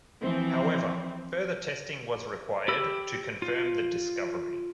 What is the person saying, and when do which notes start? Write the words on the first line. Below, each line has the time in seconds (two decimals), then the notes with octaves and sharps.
However, further testing was required to confirm the discovery.
0.21 E3 F3 C4
2.68 G4 B5 E6
3.42 F4